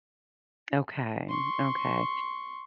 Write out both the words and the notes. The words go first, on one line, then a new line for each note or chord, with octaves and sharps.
Okay, okay.
C6 C#6